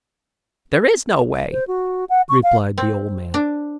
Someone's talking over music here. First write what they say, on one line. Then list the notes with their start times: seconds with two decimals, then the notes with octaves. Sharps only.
"There is no way," replied the old man.
1.52 C5
1.68 F#4
2.09 F#5
2.29 C#6
2.43 F5
2.78 C4
3.34 D4